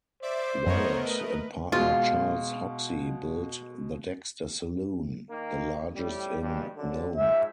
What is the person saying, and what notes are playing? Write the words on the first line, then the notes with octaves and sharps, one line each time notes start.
Wyatt and partner Charles Hoxie built the Dexter Saloon, the largest in Nome.
C5 D5 E5 D6
F#2 A3 B3 A#4 C#5 D#5
B4
B2 G#3 F4
D#3 A#3
A2 G3
G#1 G2
F#2 D3
G#2 F3 E5